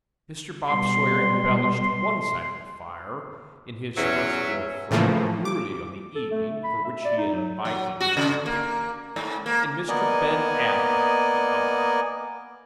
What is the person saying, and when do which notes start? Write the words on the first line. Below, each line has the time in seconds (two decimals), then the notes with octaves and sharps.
Mr. Bob Sawyer embellished one side of the fire, in his first-floor front, early on the evening for which he had invited Mr. Pickwick, and Mr. Ben Allen the other.
0.69 B2 G3 C6
3.97 E2 F#3 C#4 E5
4.91 A2 C#3 E3 F3 A3 A#3
5.45 D6
6.16 A4
6.31 A3
6.64 B5
6.85 E5
7.05 D5
7.18 D#4
7.35 F#3
7.65 F#3
8.00 F#4
8.17 C#3
8.46 A#3
9.16 G#2
9.46 A#3
9.88 A#3 B3 D5 D#5 G#5